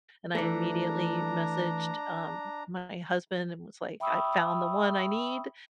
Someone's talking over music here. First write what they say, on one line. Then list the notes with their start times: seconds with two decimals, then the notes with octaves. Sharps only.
And I immediately messaged, um, my husband and was like, "I found the one I need,
0.35 E3 A3 D4 A#5
4.00 E5 G5 B5 C#6 D#6 E6